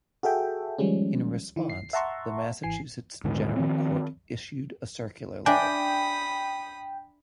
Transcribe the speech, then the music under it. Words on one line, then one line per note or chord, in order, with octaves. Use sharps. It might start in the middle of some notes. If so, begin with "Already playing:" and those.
In response, the Massachusetts General Court issued a circular letter.
F#4 G#4 A4 E5 G5
D#3 F3 G3 G#3 C#4
D#3 E4
C7
E5 F#5 A5 A#5 C6 C#6
G#1 E3 G#5 C7
D#1 G#2 D3
D#3 F3 C4
D4 E5 G5 G#5 B5 D#6